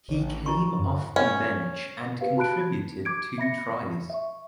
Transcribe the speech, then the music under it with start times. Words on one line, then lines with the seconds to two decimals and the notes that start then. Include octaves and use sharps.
He came off the bench and contributed two tries.
0.08 A1
0.46 E4 C#6
0.79 F#2
1.16 C#4
2.21 G4 B4 F5
2.37 F#4 A5 B5 F#6 D7
2.61 G#6
3.05 D6 G#6 D7
3.38 E5 B5 A#6 C#7
4.10 E5 C#6